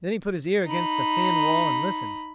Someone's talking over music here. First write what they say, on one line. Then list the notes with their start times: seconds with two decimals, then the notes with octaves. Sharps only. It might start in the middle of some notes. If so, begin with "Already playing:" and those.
Then he put his ear against the thin wall and listened.
0.65 D#4 B5